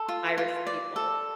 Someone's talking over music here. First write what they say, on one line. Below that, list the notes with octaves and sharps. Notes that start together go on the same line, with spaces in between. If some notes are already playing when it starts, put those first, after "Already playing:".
Irish people.
Already playing: A4
F4
F4
D5
A4